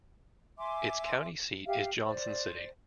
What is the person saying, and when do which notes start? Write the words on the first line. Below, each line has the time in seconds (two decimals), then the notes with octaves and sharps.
Its county seat is Johnson City.
0.57 E5 G#5 C6 D6
1.66 G4 E5 F5
2.05 C5 D5